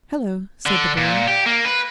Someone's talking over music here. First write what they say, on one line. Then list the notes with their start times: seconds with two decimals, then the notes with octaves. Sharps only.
"Hello," said the boy.
0.66 D3
0.97 A#2
1.27 G4
1.46 A#3
1.65 B4